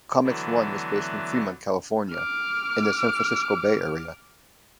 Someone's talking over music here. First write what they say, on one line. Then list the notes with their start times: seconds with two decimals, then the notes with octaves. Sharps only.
ComicsOne was based in Fremont, California, in the San Francisco Bay Area.
0.24 D3 E3 F#3 A3 B3
2.11 D6 F6